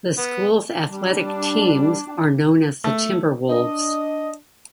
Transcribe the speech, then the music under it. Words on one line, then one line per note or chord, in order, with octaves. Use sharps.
The school's athletic teams are known as the Timberwolves.
B3
G3 D4
A3
D4 D#5